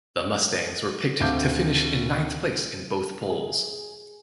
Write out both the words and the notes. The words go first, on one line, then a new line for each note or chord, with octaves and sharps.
The Mustangs were picked to finish in ninth place in both polls.
D2 C3 F5 D6 G6
G#4